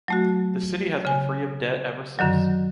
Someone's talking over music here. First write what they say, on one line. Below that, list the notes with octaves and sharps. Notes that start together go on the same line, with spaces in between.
The city has been free of debt ever since.
F#3 A3 F#4
C#3 G#5
F#2 D3 D#3 F#3